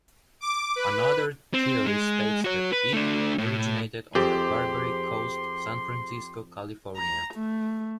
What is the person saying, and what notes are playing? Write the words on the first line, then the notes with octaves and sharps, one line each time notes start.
Another theory states that it originated on the Barbary Coast, San Francisco, California.
D6
B4
C4
G#3
F#4 C#5
B4
A3 D4
A2
F2 G4 G#4 C5 G5 C6
A#5
A3